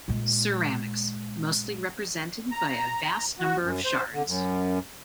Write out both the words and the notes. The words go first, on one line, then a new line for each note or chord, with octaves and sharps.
Ceramics: Mostly represented by a vast number of shards.
A#2 G#3
A#5
F#4
F#2
C5
D3
F#2